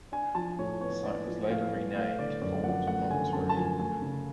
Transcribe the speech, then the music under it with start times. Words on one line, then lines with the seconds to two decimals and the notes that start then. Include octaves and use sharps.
The site was later renamed Fort Moultrie.
0.12 D4 G#5
0.35 F3 A5
0.59 A2 C#5
0.81 B3 C#5
1.03 D4 D5
1.27 F3
1.50 A2 F5
1.72 B3
1.95 A3 F5
2.19 D3 D5
2.42 F#2 D5
2.64 F3 F#5
2.87 A3 F#5
3.10 D3 G#5
3.33 F#2 A5
3.49 A5
3.56 F3 G#5
3.79 A3 G#5
4.01 C#3